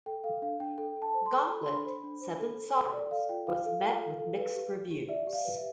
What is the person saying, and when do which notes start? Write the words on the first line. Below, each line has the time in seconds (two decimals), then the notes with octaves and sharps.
"Gauntlet: Seven Sorrows" was met with mixed reviews.
0.06 A4 G5
0.24 A4 F5
0.42 D4 F5
0.60 D4 G5
0.78 A4 G5
0.96 A4
1.02 A5
1.14 C5
1.26 C6
1.32 A4
1.50 A4 B5
1.63 D4 C6
1.76 B5
1.86 C5
2.04 D4
2.21 C5
2.39 A4
2.57 A4
2.75 A4
2.93 D5
3.11 A4 F5
3.29 F4 G5
3.47 F4 F5
3.65 A4 F5
3.83 F4
4.01 A4
4.19 A4
4.36 B4
4.55 G4
4.73 G4
4.91 G4
5.08 D5 E5
5.27 G4
5.33 F5
5.45 B4
5.57 E5